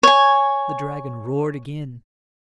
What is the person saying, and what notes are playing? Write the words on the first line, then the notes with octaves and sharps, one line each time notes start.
The dragon roared again.
C#5 G#5